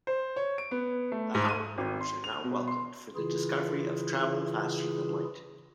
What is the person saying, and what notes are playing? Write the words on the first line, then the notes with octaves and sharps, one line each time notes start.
The Howard members are now welcomed for their discovery of travel faster than light.
C5
C#5
D7
B3
A3
G#2
D#7
G#1
C6
F7
B2
C6
C#3 E3 E4 F4 G#4